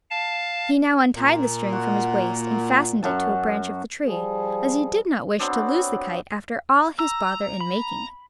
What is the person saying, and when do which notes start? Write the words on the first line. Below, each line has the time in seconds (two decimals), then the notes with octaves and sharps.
He now untied the string from his waist and fastened it to a branch of the tree, as he did not wish to lose the kite after all his bother in making it.
0.11 F5 A5
1.16 A#2
1.72 F#4
3.03 F#2 F#4 A5
4.06 F3 G3 G#4
5.39 F#3 B3 C4 D4
6.99 A#5 E6
7.61 B5